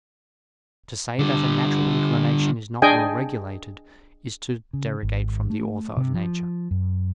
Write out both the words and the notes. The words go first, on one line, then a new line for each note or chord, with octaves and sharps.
To say that a natural inclination is not well regulated, is to derogate from the Author of nature.
D3 G3
D4 G#4 D#5 G5 G#5
C#3
G#1
A3
C3
F3
F#2